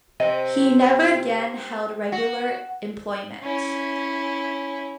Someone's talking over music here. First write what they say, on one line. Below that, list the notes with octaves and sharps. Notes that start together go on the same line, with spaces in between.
He never again held regular employment.
C3 D#5
F#4
C#4 E4